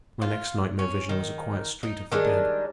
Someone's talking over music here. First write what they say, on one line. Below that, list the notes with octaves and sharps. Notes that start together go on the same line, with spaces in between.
My next nightmare vision was a quiet street of the dead.
F4
C#4
D#3
D#4
D#3 G3 G#3 D4